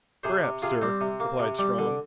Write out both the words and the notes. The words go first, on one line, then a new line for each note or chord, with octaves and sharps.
"Perhaps, sir," replied Strong.
C3 G#4 C5
C3
C3 F4 G#4
G3 C4
C3
A#3
C3
G3
D3